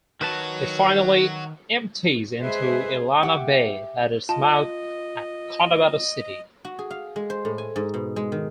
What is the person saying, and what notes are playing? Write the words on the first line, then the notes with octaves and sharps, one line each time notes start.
It finally empties into Illana Bay at its mouth at Cotabato City.
D#3 F#3 F#4 B4 A5
G#3 G#4 B4 C5 E5
G4 E5 F#5
F4 D#5 A5
F#4
G#4
F5
G#3
C5
A2
G#5
G#2
B2
G#3
D#3